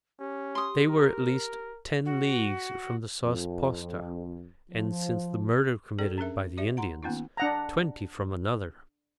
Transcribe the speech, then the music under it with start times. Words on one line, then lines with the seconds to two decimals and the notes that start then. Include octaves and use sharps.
They were at least ten leagues from the Sauce posta, and since the murder committed by the Indians, twenty from another.
0.19 C#4 G4
0.55 C6 D#6
0.87 A#4
2.05 F#4
3.24 F2
4.72 F3
5.99 C#4 A4 D5 G5
6.18 C#4 D4 G#4 A#4 E5
6.57 G4 D5 E5
6.77 F#5 A#5 C6
7.03 D#3 A#3 B3 C#4 D#4 F4
7.37 D4 F#5 A#5